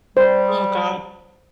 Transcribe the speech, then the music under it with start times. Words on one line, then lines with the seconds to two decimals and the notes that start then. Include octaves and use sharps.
Oh god.
0.17 G3 C5